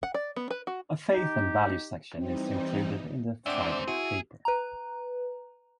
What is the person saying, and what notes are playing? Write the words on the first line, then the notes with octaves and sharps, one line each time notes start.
A Faith and Values section is included in the Friday paper.
F#5
D5
B3
B4
F#4
D#4 G4
E3 G3 C4 D#4
G#2 C4 D4 C5 E5 F#5 D6
E4 F#4 G#4
B4 A#5